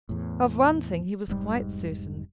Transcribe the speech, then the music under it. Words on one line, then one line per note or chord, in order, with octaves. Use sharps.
Of one thing he was quite certain.
E2 A2
F1 G#2 G3